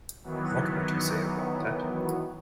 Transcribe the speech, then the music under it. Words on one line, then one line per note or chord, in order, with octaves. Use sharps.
What would you say about that?
D#3 E3 F#3 B3